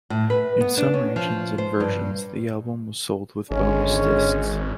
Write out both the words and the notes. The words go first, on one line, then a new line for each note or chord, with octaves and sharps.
In some regions and versions, the album was sold with bonus discs.
A2
B4
B3
D4
C#4
F3
C5
G2
G#1 D3 G#3 C#4